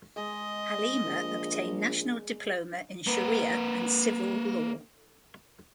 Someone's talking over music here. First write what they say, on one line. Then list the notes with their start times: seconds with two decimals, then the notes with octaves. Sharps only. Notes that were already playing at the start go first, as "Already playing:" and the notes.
Halima obtained National Diploma in sharia and civil law.
0.16 G#3 D#5
1.05 A#1
3.07 A#3 B4